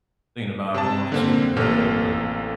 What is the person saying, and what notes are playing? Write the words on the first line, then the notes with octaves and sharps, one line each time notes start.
thinking about going and scooping her up, but,
C3 A5
D3 A#3 C4
A1 C3 A#3 A4 F6